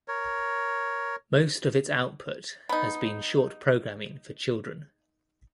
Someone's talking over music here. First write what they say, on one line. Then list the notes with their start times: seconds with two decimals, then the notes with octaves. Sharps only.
Most of its output has been short programming for children.
0.08 A#4 C#5
2.69 B3 D#4